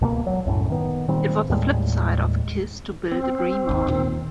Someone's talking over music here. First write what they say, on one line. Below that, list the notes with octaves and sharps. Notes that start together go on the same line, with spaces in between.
It was the flip side of A Kiss to Build a Dream On.
C#2 B2 F3 A#3
F#3
C2 F#2 A2
D#3 B3
A#2 D#3 G3 C4
D#2 A2 G3 G#3
C4
G#1 D#2
D#2 A#2 D#3